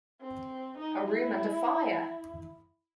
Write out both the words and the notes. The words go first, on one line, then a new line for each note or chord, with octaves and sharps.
A room and a fire!
C4
D#4
E4